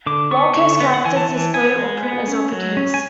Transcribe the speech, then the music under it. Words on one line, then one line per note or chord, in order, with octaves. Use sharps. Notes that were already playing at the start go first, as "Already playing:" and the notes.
Lower case characters display or print as uppercase.
D3 D6
B3 C#6
D3 C#6
B3
F#5
E3 G#5
A5
E3
B3 G#5
G#3
B3
C#4
F#3
C#4
G#5